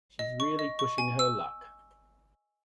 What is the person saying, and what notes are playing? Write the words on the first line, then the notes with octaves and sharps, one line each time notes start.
She's really pushing her luck!
D#5
C#6
D#5
C#6
G#5
E6